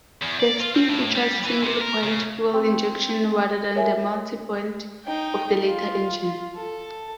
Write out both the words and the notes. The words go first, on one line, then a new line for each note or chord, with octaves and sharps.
The Spi features single-point fuel injection rather than the multi-point of the later engine.
E2
D5
F4
C4
A2
A2
G3
E3
C3
A#4
C#3
C4
A#4 C#5 E5 G#5
D#4 G5
F4
A4